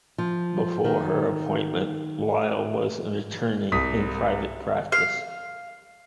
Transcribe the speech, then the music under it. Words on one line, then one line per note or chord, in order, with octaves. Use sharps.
Before her appointment, Lyle was an attorney in private practice.
F3
D#3
C2 D#6 B6
F5